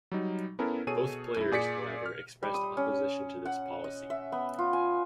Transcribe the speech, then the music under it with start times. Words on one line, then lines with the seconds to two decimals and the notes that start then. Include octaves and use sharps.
Both players, however, expressed opposition to this policy.
0.12 F#3 G3 D#4
0.59 B3 C#4 E4 A4 A#4
0.87 B2 G#4 A4 C#5 D#7
1.37 F#2 E4
1.52 A#2 G#4 D5 B6 C#7
2.06 F6
2.43 G3
2.54 D#6
2.77 C#4
3.45 F#5
3.84 D#5
4.10 E5
4.32 B3
4.59 F4
4.73 G#5